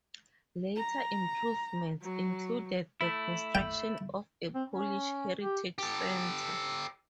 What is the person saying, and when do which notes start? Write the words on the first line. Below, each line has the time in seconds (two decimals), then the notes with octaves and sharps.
Later improvements included the construction of a Polish Heritage Center.
0.75 A#5
2.02 F#3
3.01 A3 E4
3.55 G5
4.55 C4
4.69 C#4
5.40 G4
5.78 G4 A4